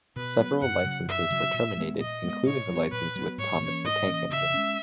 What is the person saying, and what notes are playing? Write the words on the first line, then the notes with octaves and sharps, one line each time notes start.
Several licenses were terminated including the license with Thomas the Tank Engine.
B2 B4
F#3 B3
F#2 F#5
C#3 F#3
F#2 E5
C#3 F#3
A#2
G#3 B3
A#2 D#5
G#3 B3
A#2 C#5
F#3 B3
A#2 B4
F#3 B3
G#2 C#5
E3 A#3 C#4
G#2 D#5
E3 A#3 C#4
C#3 E5
G#3 C#4